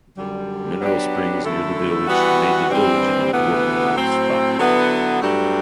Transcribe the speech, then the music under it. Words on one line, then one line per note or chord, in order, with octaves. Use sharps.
Mineral springs near the village made the village an important health spa.
F#2 D3 G3
F#3 B3 D4 G4
F#2 D3 A3 E4 A4
E3 G3 B3 F#4
G2 E3 G3 C4
D2 C3 E3 B3
A2 F#3 C4
D3 F#3 B3 E4
G2 F#3 A3 D4 G4